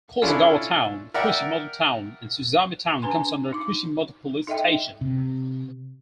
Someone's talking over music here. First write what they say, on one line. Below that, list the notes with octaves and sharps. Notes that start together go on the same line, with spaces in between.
Kozagawa Town, Kushimoto Town, and Susami Town comes under Kushimoto police station.
C#4 D4 E4 F4 A4
A#4 D5 E5 F#5 G5
D4 B4 G#5 C6
D#4 D6
D#4 A4 D#5 E5 G5
C3